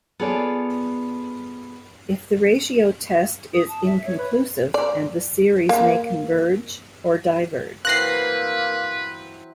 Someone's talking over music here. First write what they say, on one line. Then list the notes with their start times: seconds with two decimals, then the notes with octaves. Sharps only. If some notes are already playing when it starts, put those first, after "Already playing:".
If the ratio test is inconclusive, and the series may converge or diverge.
0.19 B3 F4 G#4 A4 C#5 D5
3.53 D#6
3.68 A5
3.86 E5
4.06 C#5
4.18 B4
4.74 D5
5.69 A#3
7.85 E3 F#3 A#3 C4 B4 F#6 A#6 C7